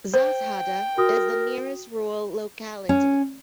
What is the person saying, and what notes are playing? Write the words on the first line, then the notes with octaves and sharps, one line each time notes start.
Zhazhada is the nearest rural locality.
C5 G5
F#4 A#4 D#6
C#4